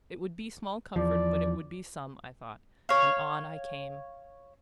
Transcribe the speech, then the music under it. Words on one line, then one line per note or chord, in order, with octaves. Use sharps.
It would be small comfort, but it would be some, I thought, and on I came.
E2 F3 D5
C#5 F5